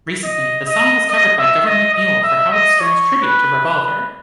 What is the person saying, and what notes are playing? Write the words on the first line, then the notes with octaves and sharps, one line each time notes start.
Recently, the song was covered by Gov't Mule for Howard Stern's tribute to Revolver.
D#5
D#5
D#5
E5
D#5
D#5
E5
D#5
C#5
B4
B4